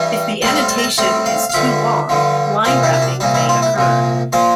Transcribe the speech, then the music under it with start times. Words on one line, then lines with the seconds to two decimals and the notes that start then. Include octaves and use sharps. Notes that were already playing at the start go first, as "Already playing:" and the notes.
If the annotation is too long, line wrapping may occur.
Already playing: G2 E3 G3
0.42 A2 G3 C4 A5
0.56 F5
0.69 A5
0.78 A#5
0.84 A5
0.98 A2 G3 C4 G5
1.26 F5
1.50 F5
1.54 G2 D3 F3 E5
2.09 G2 D3 F3
2.65 C2 A#2 G3 C5
2.83 E4
2.93 E4
3.02 D4
3.20 C2 A#2 G3 D4
3.34 E4
3.49 F4
3.62 E4
3.76 C2 A#2 F3
4.33 A#2 F3 C5